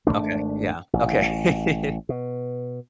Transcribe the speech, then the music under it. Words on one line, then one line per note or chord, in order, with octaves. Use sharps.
Okay, yeah, okay.
G#1 A2 A3 D4
A1
B2